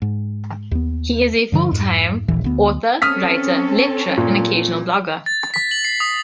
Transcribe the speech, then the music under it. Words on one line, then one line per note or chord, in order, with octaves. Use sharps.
He is a full-time author, writer, lecturer and occasional blogger.
G#2
D#2 B3
G2 D3 F3
F2 G#2
D#1 A#1 E3
D2 B3
C4 C#4 A4 D#6 F6 B6
A#2
A6
B6
F#7
C7
D#6